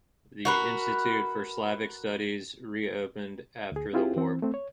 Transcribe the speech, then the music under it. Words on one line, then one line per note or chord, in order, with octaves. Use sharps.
The Institute for Slavic Studies reopened after the war.
F#4 A#4 B4
D2 G#4
C4 E4 F4 G4 G#4 C5
E3 C4
A3 C4
C#5